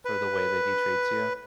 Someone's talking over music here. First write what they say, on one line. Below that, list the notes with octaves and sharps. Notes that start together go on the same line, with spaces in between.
for the way that he treats you?
B4